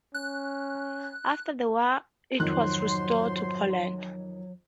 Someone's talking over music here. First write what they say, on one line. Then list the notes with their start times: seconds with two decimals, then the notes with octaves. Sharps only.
After the war it was restored to Poland.
0.14 C#4 F#6
2.40 F2 G#2 D#3 F#3 C5 C6 F#6